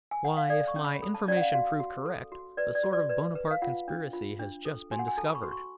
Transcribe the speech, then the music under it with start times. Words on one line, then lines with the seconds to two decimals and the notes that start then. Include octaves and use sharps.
"Why, if my information prove correct, a sort of Bonaparte conspiracy has just been discovered."
0.11 G#5
0.25 F#5
0.37 F5
0.50 A4 D5
0.68 C#6
0.76 C#4
0.84 B5
1.02 A4 B5
1.14 A5
1.28 C#4 D5
1.37 F#5
1.41 F5
1.53 F#4 F5
1.80 F#4
2.06 A4
2.32 F#4
2.57 B4 D5
2.75 D5
2.83 F#4
2.93 D5
3.09 B4 D5
3.35 B4
3.51 F5
3.62 F4 F#5
3.88 D4
4.13 F4
4.39 D4
4.65 A4
4.91 F#4 G#5
4.99 F#5
5.08 G#5
5.18 A4 A5
5.26 B5
5.35 C#6
5.43 F#4
5.52 C#6